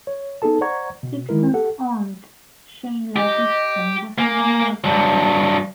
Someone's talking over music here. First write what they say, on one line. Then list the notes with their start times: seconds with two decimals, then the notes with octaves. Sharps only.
Dixon's aunt, Sheila Dixon, was the mayor of Baltimore.
0.07 C#5
0.42 B3 D#4 G#4 A4 A5
0.61 C5 D5 F#5 A#5 C#6 G#6
1.03 B2
1.29 D#3 G#3 E4 A#4
1.54 G4 A4 F#5
3.16 G4 D#5
4.18 A#3 G#5
4.84 G2 F#3 A5